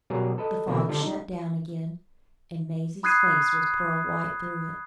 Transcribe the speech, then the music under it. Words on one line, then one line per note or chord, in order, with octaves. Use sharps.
The fog shut down again, and Maisie's face was pearl-white through it.
B2 F#3 G3 G#4 A#4
A4 B4 D#5
B2 D3 A#3 C4 E4
D3 F3 G3 D4
D#4
B5 D#6 F#6 G#6 C7 D#7